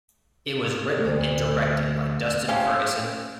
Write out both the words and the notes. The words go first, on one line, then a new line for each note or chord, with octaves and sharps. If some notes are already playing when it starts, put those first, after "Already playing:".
It was written and directed by Dustin Ferguson.
D2
F3 C#4 G4 F5